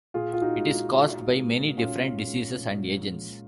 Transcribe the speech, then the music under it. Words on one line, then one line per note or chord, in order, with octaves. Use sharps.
It is caused by many different diseases and agents.
A#2 F4 G#4
F4
D#4 F#4
G#3
D#4 F#4
A#2
G#3
A#2 C#4 F4
G#3
A#2
G#3